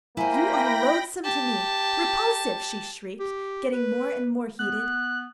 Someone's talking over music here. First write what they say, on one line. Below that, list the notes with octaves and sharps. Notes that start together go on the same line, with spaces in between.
"You are loathsome to me, repulsive!" she shrieked, getting more and more heated.
A#3 E4 C5 G5 G#5 B5 A#6
G4 A5
G4
B4
B3 F#6